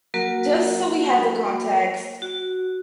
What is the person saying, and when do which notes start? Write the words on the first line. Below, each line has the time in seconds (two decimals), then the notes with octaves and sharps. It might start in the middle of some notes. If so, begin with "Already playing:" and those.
just so we have the context,
0.14 F#3 A#3 F#4 A#4
2.22 F#4